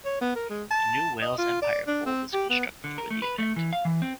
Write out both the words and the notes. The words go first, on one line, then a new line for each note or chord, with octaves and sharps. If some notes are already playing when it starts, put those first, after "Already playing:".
A new Wales Empire Pool was constructed for the event.
C#5
B3
A#4
G#3
A5
D#5
F4
D5
D4
C4
G4
B3
D3
A#4
A3
B4
A3
E3
F5
E3
C4